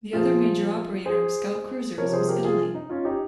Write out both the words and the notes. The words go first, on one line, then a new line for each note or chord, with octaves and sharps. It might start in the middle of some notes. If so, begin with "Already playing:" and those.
The other major operator of scout cruisers was Italy.
A#2 F3 F4 G#4
G#4 C5
C3 F3 A#4 C#5
G#4 C5
G4 A#4
F4 G#4
D#4
C#4 F4
D#4 G4